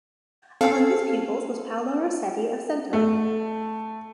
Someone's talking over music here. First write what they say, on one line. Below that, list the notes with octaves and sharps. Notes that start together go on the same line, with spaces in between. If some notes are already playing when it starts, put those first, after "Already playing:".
Among his pupils was Paolo Rossetti of Cento.
C4 A4 F5
A3